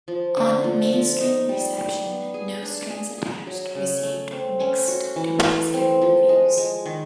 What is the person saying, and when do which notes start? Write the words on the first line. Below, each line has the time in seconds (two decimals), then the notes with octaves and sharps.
On mainstream reception, "No Strings Attached" received mixed to positive reviews.
0.08 F3
0.37 D3
0.64 F3
0.93 F3
1.20 D#4
1.49 G3
1.78 G3
2.06 B3
2.34 G#4
2.62 D4
2.90 G#4
3.18 G#4
3.47 F#3
3.75 C#3
4.03 A3
4.32 C4
4.60 C#4
4.88 F#4
5.16 E3
5.45 A3
5.73 C4
6.02 F3
6.29 G#3
6.58 G#3
6.86 D#3